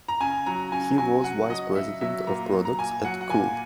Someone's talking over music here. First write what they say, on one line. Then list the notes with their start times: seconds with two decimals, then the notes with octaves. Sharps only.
He was Vice President of Products at Cuil.
0.08 A#5
0.21 C#3 G#5
0.46 F#3 A#5
0.72 C#3 G#5
0.98 F#3 G#5
1.24 C#3 F#5
1.50 F#3 D#5
1.75 C#3 E5
2.01 F#3 E5
2.27 A#2 A#5
2.53 F#3
2.65 A#5
2.79 A#2 G#5
3.05 F#3 F#5
3.21 F#5
3.30 A#2 G#5